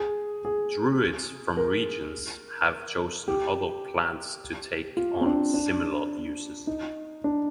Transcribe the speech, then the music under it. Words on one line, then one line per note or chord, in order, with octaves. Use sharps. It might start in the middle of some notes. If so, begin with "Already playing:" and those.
Druids from regions have chosen other plants to take on similar uses.
Already playing: G#4
G#4
A#4
G4
F4
C4
D4
D4
D#4
D4